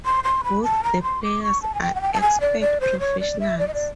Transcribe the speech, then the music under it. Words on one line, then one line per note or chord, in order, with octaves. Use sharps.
Both the players are expert professionals.
C6
C6
B5
A5
A#5
C6
D6
C#6
A5
G#5
G5
F#5
G5
A5
G#5
D5
D5
C5
C#5
D5
E5
D5
D#5
D5